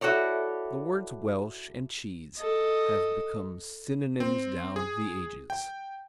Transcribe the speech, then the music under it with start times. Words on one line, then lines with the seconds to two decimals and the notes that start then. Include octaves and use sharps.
The words Welsh and cheese have become synonyms down the ages.
0.01 E4 F#4 A4 C#5 D5
2.38 A4 D#5
4.20 C4
4.76 G#4
5.50 G5